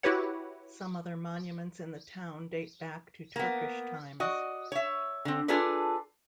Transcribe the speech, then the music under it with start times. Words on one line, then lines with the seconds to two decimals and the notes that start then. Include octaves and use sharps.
Some other monuments in the town date back to Turkish times.
0.03 E4 F#4 G4 B4 C#5 F#5
3.36 A#3 B3
4.20 F#4 D5 D#5
4.72 C#5 E5
5.25 D3 C4
5.48 D4 F4 G#4 A4 B4 D5